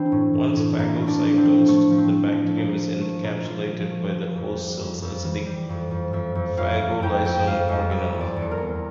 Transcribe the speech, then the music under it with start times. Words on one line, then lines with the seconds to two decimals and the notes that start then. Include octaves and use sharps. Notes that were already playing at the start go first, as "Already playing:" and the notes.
Once phagocytosed, the bacterium is encapsulated by the host cell's acidic phagolysosome organelle.
Already playing: E3 C4 D4
0.12 A2
0.34 A2
0.56 A2
0.78 A2 A#3
1.01 A3
1.08 D4
1.24 F3
1.38 C4
1.45 F3
1.68 A2 A3
1.90 F3
1.98 C4
2.12 A3
2.34 F3
2.57 A#2
2.79 F3
3.01 A3
3.24 A#2
3.45 F3 F4
3.68 F3
3.90 A3
4.13 F3
4.34 F2
4.57 G3
4.80 F2
5.02 F2
5.24 E3
5.46 G3
5.69 F2
5.91 F2
6.13 F2 E5
6.35 F2
6.57 F2 F5
6.80 F2
7.02 F2 G5
7.25 F2 G5
7.46 F2 F5
7.69 F2
7.91 G3 E5
8.14 E2
8.21 D5
8.36 E2
8.42 A4
8.51 A#4
8.58 E2